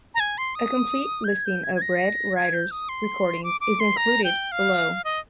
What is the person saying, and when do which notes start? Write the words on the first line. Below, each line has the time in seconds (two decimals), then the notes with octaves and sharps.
A complete listing of Red Rider's recordings is included below.
0.15 A#5
0.20 G#5
0.38 C6
0.55 D#6
1.24 G6
1.28 G#6
1.45 G6
1.64 G#6
1.76 G#6
1.82 A#6
2.36 G#6
2.54 G6
2.71 D#6
2.89 C6
3.44 D6
3.61 D6
3.80 C6
3.97 A#5
4.24 G5
4.52 F5
5.04 D#5